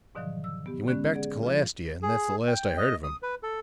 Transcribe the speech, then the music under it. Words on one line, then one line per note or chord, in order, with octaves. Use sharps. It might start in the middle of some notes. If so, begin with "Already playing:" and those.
"He went back to Calastia, and that's the last I heard of him."
G#2 B2 D3 D#3 F3 F#3
E6
B3 G4
D3 G#3 B3 C#4
G#4 D5 F#5
F3 F4
G#4
G5
D#5
D#6
B4
A4